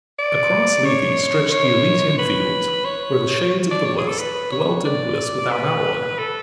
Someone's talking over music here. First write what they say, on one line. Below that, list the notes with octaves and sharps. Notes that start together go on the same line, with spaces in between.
Across Lethe stretched the Elysian Fields where the shades of the blest dwelt in bliss without alloy.
D5
C#5
C#5
B4
C#5
D5
C#5
G#4
A4
B4
C#5
D5
B4
A4